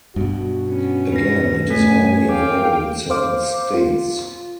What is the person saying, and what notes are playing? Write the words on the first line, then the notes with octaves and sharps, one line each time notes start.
Again, it is only available in certain states.
G2 B2 F#4
B3 C#4
B4 A#6
A3 C#4 G#5 B6
F5 G5 D6
C5 F5 D6
F4